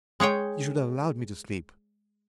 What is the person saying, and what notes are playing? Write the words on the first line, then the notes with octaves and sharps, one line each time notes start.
You should have allowed me to sleep.
G#3 G#4 C#5 G5